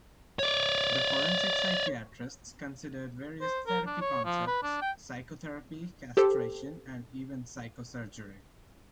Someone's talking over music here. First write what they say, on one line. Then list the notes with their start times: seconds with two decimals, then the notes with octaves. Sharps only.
The forensic psychiatrists considered various therapy concepts: psychotherapy, castration and even psychosurgery.
0.39 C#5 D5
3.41 C5
3.67 A#4
3.87 D4
4.01 C#5
4.25 F3
4.47 B4
4.63 D4
4.82 G5
6.17 G4 A4 C5